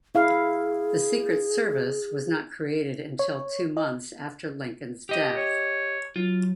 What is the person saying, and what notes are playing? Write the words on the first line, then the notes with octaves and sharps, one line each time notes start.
The Secret Service was not created until two months after Lincoln's death.
E4 G#4 F5
C#5
D#5
G4 D#5
C#5
F#3 F4